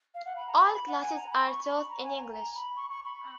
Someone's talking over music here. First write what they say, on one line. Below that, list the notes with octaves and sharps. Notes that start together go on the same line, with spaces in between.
All classes are taught in English.
F5
F#5
B5
A#5
B5
B5
F#5
G#5
A#5
B5
C#6
B5
A#5
F#5
G#5
A#5
A#5
B5
C#6
C#6
B5